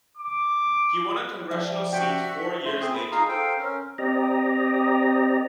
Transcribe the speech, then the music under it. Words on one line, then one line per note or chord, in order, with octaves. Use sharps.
He won a congressional seat four years later.
D6
F3 G3 E5
F#4 E5 G5
A3 C5 C6
C4 G#4
B5
D#4 F4 G#4 F5 A#5 D#6
A4 C5 F5 G5
C#4 A#4
C4 G4 D5 D#5 A#5